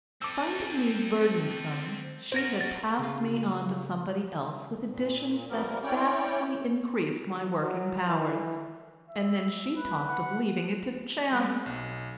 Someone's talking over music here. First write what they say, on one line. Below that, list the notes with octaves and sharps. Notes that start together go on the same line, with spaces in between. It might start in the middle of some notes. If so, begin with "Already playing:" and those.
Finding me burdensome, she had passed me on to somebody else with additions that vastly increased my working powers, and then she talked of leaving it to chance!
C4 A4 D6 E6
F#4 A#4 C5 G#6 A#6
A6
C#3 F4
A#2
F3 G3 A#3 B3 A#4
C#4 E4 C#5 D5 G5
F#3
E3
E5
B4
F#5
G3 A3 B3 C4
B1